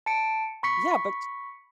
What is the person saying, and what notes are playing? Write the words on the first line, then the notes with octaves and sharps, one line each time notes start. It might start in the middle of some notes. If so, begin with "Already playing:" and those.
Yeah, but
A5 C#7 D7
B5 C#6 B6 C#7